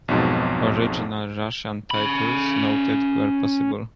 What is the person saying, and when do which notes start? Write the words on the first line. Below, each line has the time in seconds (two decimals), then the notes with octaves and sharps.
Original Russian titles noted where possible.
0.08 B1 F2 G#2 B2
1.91 C#4 B5